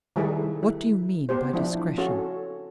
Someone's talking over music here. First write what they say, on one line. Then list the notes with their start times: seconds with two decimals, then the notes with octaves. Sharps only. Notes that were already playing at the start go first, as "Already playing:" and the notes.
"What do you mean by discretion?"
0.16 D#3 G3 E4 G#4 A4 B4
0.63 E4
1.29 B3 G4 C5
1.53 F3 D4 E4
1.98 C#4 F#4 A4